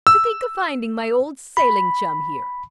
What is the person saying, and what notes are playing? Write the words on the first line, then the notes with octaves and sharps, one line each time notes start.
To think of finding my old sailing chum here!
E6
B5